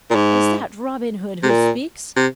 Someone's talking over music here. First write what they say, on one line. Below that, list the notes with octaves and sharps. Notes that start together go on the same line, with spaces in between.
"Is that Robin Hood who speaks?"
A#2
G#2
C3
A#2
C3